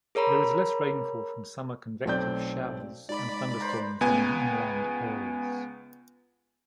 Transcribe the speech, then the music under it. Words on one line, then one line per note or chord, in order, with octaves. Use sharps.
There is less rainfall from summer convective showers and thunderstorms than in inland areas.
G#4 A#4 C#5 A#5 B5
B1 A3 C4 D5 G6
G#2 D5 B5
B4 C5 A#5
C#2 B3 G#5